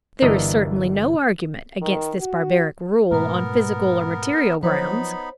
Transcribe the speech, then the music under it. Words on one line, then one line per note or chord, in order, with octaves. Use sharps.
There is certainly no argument against this barbaric rule on physical or material grounds.
G1 E3 D4 A#4 D#5
D#3
F#4
G#2 B2 A3 B3 A#4 B4 A#5
F3 F#3 B3 D#4 C5 C#5 B5